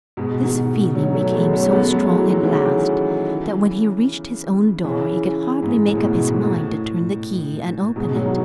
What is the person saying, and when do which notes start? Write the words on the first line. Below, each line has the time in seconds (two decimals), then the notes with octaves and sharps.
This feeling became so strong at last, that when he reached his own door, he could hardly make up his mind to turn the key and open it.
0.17 G#2 B2
0.43 B2 D#3
0.95 D#3 F#3
1.14 F#3 A3
1.34 G#3 B3
1.53 A3 C#4
1.73 G#3 B3
1.92 F#3 A3
2.12 E3 G#3
2.31 D#3 F#3
2.43 D#3
2.51 C#3 E3
4.84 C#3 E3
5.62 G#2
5.88 A2
5.97 B2
6.05 A2
6.14 G#2
6.34 G#2
6.40 A2
7.96 G#2 B2
8.15 D#3 F#3